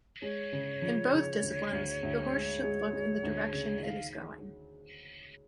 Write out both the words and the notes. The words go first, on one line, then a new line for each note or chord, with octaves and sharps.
In both disciplines, the horse should look in the direction it is going.
G#3 C#5
C#3
F3
C#3
D2
D2
D2
G#3
G#3
G#3
D2
C#3
D#3 F5